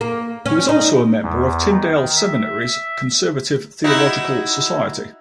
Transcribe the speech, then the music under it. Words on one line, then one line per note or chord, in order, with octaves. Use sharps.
He was also a member of Tyndale Seminary's Conservative Theological Society.
A#3
C#4
D#4
E2
D#3
E5
E5
D#4 E4 F#4